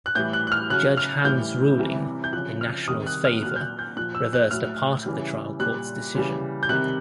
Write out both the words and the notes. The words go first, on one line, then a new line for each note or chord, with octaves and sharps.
Judge Hand's ruling in National's favor reversed a part of the trial court's decision.
F#6
A2 E3 G3 G6
F#6
F#6
F6
C#3 F#3 F#6
F6
A2 E3 G3 G6
C3 E3 G3
G6
C#3 F3 F#6
F6
C3 D#3 G3 D#6
F#6
F6
A#2 F#3 F#6
G6
F#6
G6
A#2 F3 F#6
E6
F#6
A2 F#3 F6
C#3 E3 G3
A#2 G3 F#6
C#3 E3 G3
G6
C3 D#3 G3 F#6